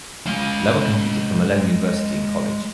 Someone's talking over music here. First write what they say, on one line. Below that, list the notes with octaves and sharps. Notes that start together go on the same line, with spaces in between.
Lower competed for Malone University in college.
G#3 F5